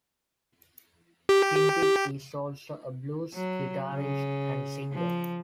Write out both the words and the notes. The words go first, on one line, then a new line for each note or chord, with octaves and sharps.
Gindick is also a blues guitarist and singer.
G4
F#3
C#3
F3